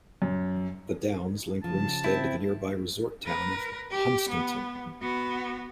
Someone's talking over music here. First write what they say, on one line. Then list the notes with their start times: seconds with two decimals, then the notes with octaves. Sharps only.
The downs link Ringstead to the nearby resort town of Hunstanton.
0.22 F#2
1.64 C#3 F3 A5
2.04 C4 E4
3.25 A#4 B4
3.91 G4
4.29 B3
5.01 B3 F#4